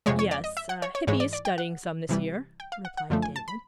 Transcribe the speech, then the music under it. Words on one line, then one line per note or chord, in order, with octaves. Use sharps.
"Yes, Hippy is studying some this year," replied David.
F2 C3 F3 G#3 C#5
C#5
D5
D#5
E5
F#5
C#5
C#5
G#2 E3 G#3 C#5
D5
D5
G5
F#5
C3 E3 G3
G5
F5
F#5
F#5
F#2 D3 F3 A3
G#5
A5
B5